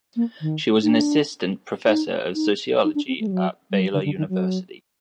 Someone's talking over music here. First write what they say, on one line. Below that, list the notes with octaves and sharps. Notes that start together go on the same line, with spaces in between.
She was an assistant professor of sociology at Baylor University.
A#3
D#3
D#4
D4
D#4
D#4
D#4
D4
C4
A3
G3
F#3
G3
F#3
D3
D3
D#3
F#3